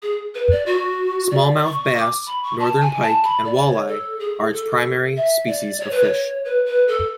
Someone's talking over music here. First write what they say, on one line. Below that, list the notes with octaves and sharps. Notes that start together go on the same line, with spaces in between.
Smallmouth bass, northern pike and walleye are its primary species of fish.
G#4
B4
D5
F#4
D5
C#6
D6
B5
C#6
A5
G#5
A5
B5
D5
C#5
A4
G#4
A4
E5
D5
C#5
B4
C#5
B4
B4
A4